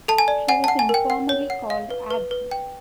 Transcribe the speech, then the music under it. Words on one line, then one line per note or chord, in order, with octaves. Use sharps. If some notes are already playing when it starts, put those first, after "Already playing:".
She was informally called Abby.
A4 A5
G#5
D5
F#5 G#5
F#5 A5
G#5
A#4 G5
F#5
C#5
F#5
F5
B4
B4
B4
G5